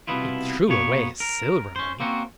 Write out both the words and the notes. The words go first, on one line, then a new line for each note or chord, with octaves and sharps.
He threw away his silver money.
C2 F2 B2 B3 E4 F4
B2 A#3 B3 C#5
A#4
C#4 C5
A#3 C4 C#4 F#4